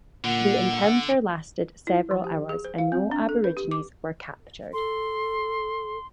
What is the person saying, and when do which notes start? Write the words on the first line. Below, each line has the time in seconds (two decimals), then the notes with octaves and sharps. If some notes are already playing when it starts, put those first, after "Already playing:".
The encounter lasted several hours, and no Aborigines were captured.
0.24 A#2 D3 F#5
1.87 E4
2.11 F3
2.24 G4
2.49 G#4
2.64 C5
2.78 F5
2.92 C4
3.11 D4
3.29 A4
3.44 B4
3.57 G4
3.71 D6
4.73 A4 C6